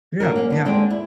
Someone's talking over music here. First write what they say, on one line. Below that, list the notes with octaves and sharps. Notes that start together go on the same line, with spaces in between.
Yeah, yeah.
A#2 D3 F#3 A#4
A#3 C#4
B3 D4
D#2 D3 G#3 C4 D4 D5
E4